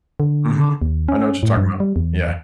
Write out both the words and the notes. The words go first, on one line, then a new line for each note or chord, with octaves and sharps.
Mhm. I know what you're talking about. Yeah.
D3
D#2
C#4
A2
G2
G3
E2